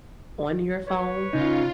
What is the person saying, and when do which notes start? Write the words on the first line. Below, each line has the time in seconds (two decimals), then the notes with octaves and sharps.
on your phone,
0.87 B4 C#5
1.33 C#3 D#4 F4